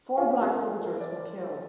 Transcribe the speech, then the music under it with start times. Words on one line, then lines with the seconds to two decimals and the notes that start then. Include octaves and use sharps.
Four black soldiers were killed.
0.18 F4
0.28 G4
0.39 F4
0.50 A#4
0.83 A#4
1.01 D5